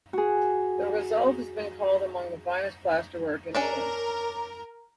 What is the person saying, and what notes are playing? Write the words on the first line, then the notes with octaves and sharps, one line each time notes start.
The result has been called among the finest plaster-work in England.
F#4 G#4
C#4 D4 A#4 D5